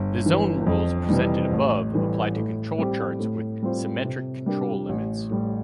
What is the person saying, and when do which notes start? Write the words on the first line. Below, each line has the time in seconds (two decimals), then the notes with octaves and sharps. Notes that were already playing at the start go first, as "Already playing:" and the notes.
The zone rules presented above apply to control charts with symmetric control limits.
Already playing: G1
0.25 G2 E3
0.67 F2
1.09 C3 E3 G3
1.51 A1
1.93 A2 E3 G3
2.36 A2
2.78 G3 C4 G4
3.20 A2
3.62 G3 C4 F4 C5
4.04 C3
4.46 G3 D4 G4 A#4
4.89 A1
5.31 A2 G3